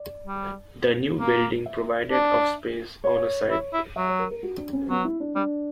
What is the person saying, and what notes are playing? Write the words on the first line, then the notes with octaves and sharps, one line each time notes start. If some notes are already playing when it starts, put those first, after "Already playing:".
The new building provided of space, on a site.
Already playing: D5
G3
A#3
E5
D4
C#5
E4
E4
F#3 E5
C#5
A#4
A#4
F#4
D4
C#4
F#3 B3
E4
D4
G3 D4